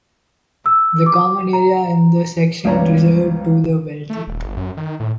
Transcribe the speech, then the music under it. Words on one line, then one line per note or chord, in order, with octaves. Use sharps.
The common area and the section reserved to the wealthy.
E6
D6
A#5
C#2 G2 B3 C#5 D5 A#5
A3
D#1
G1
F#2
D#3
A2